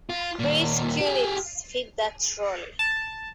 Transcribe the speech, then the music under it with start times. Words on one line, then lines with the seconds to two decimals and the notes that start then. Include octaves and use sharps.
Chris Kunitz fit that role.
0.10 F4
0.39 D#2 A#2
1.00 G4 G#4
2.79 A5